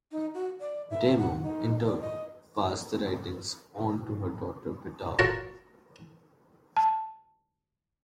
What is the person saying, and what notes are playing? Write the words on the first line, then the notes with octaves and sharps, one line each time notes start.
Damo, in turn, passed the writings on to her daughter Bitale.
D#4
F#4
D5
E5
F#5
D#4
D5
D#5
F4 F#4 A4 A#4 C#5
A5